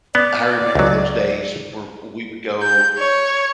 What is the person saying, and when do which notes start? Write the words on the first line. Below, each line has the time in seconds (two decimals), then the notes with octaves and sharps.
I remember those days where w we would go
0.15 B3 D5
0.75 C#2 F#3
2.62 G6
2.98 C#5